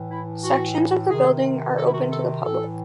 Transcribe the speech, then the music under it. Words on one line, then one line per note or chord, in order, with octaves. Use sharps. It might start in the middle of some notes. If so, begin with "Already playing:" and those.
Sections of the building are open to the public.
Already playing: A2 E3
E4
F#4
C3 D#3 G#4
A4
E4
F#4
A4
A2 E3 A4